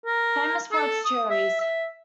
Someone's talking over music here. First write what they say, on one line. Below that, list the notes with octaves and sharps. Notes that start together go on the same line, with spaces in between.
Famous for its cherries.
A#4
A4
D#6
E5
E5